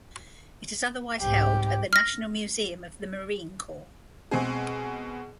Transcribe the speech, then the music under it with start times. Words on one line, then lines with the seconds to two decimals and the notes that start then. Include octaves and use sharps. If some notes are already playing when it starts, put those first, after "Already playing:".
It is otherwise held at the National Museum of the Marine Corps.
1.21 C2 G#2 G4
1.93 F6 A#6
4.31 B2 G#3 C4 G#4